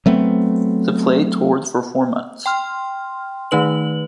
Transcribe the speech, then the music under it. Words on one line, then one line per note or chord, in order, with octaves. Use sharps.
The play toured for four months.
F#3 A3 B3 C4
G5 C6 F6
D#3 A3 D#4 B4 F#7